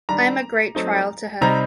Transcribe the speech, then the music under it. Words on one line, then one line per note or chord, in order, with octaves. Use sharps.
I’m a great trial to her.
D#3 G3 D4 A#5
F#3 A3 C4 D#4
C3 G3 C4 D#4 A#5